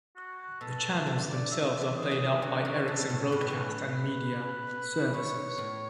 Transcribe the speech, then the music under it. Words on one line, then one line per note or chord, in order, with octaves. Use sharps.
The channels themselves are played out by Ericsson Broadcast and Media Services.
F#4
B2 A4
A4
D3
D5
F#3 E5
E3
G#4
F#3
E3
D3 F#4
C#3
B2 A4
A2
A2 B4
B2
A2
B2 C#5
A2